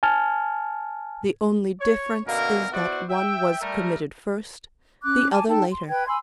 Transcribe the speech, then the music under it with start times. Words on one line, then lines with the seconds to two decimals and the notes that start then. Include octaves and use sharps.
The only difference is that one was committed first, the other later.
0.03 G#5 A5 F6
1.80 C#5
2.25 B2 D3 A#3 C#4 E4 A#4
2.72 B3 E4 F#4 C5 D5
3.09 E5 G5
3.61 G3 A3 A#4
5.04 C#4 D6 F#6
5.32 G#5 A5 D6
5.49 D#4 A4 G5 A5
5.70 C6
5.89 B4 G5 G#6
6.08 G#5 B5 C6 E6